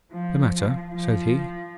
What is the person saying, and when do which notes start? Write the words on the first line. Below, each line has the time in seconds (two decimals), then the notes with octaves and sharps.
'The matter?' said he.
0.12 F3
0.94 F3